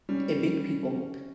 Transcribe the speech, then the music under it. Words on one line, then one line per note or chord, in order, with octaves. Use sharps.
evict people w
G3 C#4